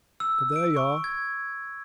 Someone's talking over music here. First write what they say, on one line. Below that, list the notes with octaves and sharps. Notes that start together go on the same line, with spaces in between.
But there ye are!
E6
D7
C#6
G#6